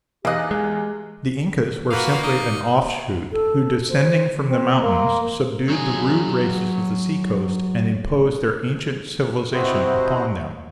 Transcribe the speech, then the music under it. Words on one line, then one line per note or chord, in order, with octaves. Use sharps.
The Incas were simply an offshoot, who, descending from the mountains, subdued the rude races of the sea-coast, and imposed their ancient civilization upon them.
E2 A#3 D#4 G4 D#5 F#6
G#3
A#3 F#4 B4 F5
D#4 D#5
A4
C5
C4
A#3 C6
F#3 G#4
C3 C4 E4 F#4 C5 D#5